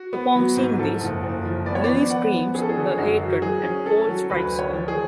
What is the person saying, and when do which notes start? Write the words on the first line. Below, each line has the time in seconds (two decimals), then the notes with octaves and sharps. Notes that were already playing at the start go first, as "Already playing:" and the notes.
Upon seeing this, Lili screams her hatred and Paul strikes her.
Already playing: F#4
0.13 B3
0.36 F#3
0.57 G#2
0.79 F3 A4
1.01 F#1
1.23 F#1
1.45 F3
1.66 B3 D5
1.75 C#5
1.84 D5
1.89 F3
2.10 B3 F#5
2.32 F3
2.54 C#4 G#4
2.62 A4
2.69 G#4
2.77 D3
2.98 F#2 F#4
3.20 F#3
3.42 F#3 G#4
3.63 C#4
3.86 C#4 A4
4.08 F#3
4.30 D2 B4
4.52 D2
4.59 C#5
4.73 F3
4.88 G#4